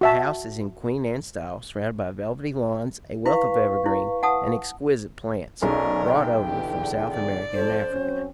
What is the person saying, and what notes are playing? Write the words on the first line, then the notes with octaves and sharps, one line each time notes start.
The house is in Queen Anne style, surrounded by velvety lawns, a wealth of evergreen and exquisite plants, brought over from South America and Africa.
F#4 E5 A5
E4 B4 F5 C#6
E4
F#5 A5 D#6
B1 C3 F#3 C#4 G#4 A#4 D5
G5
E2 D3 G4
D5
F2 A4 C5
F#3 C4 C#4